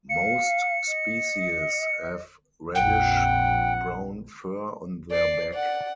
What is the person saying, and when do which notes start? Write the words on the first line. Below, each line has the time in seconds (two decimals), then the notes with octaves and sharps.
Most species have reddish brown fur on their back.
0.09 F5 C#7
0.87 D#5
2.75 A#1 F2 F#5 G5
5.11 D5 C7
5.54 D5 F#5